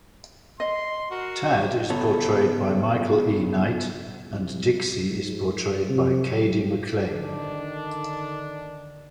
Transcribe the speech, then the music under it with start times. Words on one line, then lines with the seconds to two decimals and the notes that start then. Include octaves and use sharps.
Tad is portrayed by Michael E. Knight, and Dixie is portrayed by Cady McClain.
0.60 D#5 C6
1.11 F#4 A#4
1.90 C#3 B3 A4 C#5
4.26 C2
5.11 G#2
5.89 C3
6.35 F#3
7.07 D3 D#3 D4